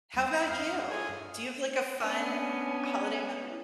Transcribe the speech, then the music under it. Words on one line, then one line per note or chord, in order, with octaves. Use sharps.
How about you? Do you have like a fun holiday memory?
D#2 G3
F5 D#6 G6
F2 F5 D#6 F6
F4 G#4 A4 C#5
G2
B3 C#4 D4 G#5